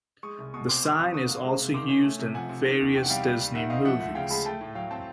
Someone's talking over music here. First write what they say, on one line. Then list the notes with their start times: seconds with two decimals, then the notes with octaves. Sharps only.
The sign is also used in various Disney movies.
0.23 G#3 C#6 D#6
0.38 C2
0.54 B2 C#6 D#6
0.69 C4 C6 D6
0.83 G3 C6 D6
0.99 F2 C#6 D#6
1.14 D3 C#6 D#6
1.29 A#3
1.44 G#3
1.59 C3
1.74 D#3 C6 D6
1.89 C#4
2.04 A3
2.19 C3
2.34 F3 F#5 G#5
2.49 C3
2.65 D#3
2.80 E2
2.94 C3 G5
3.03 F#5
3.10 G3 F5 G5
3.24 G3
3.40 D#2
3.55 D#3 E5 F#5
3.70 C4 D#5 F5
3.85 F3 E5 F#5
4.00 D2 E5 F#5
4.15 C#3 F5 G5
4.30 G#3 A5 B5
4.45 A3 G5 A5
4.61 A2
4.75 F#3 F5 G5
4.90 C4 G5 A5